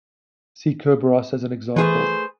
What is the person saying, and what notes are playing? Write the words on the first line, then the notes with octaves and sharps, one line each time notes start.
See Kerberos as an example.
E3 A3 G#4 B4 C5